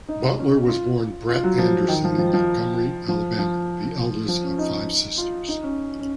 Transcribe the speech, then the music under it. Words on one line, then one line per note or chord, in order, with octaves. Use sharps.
Butler was born Brett Anderson in Montgomery, Alabama, the eldest of five sisters.
D#4
C#4
F4
F4
F#3
F3
D#3
F3
F3
F3
F3
F3
F3
C#4
D#4
F4
D#4
C#4
C#4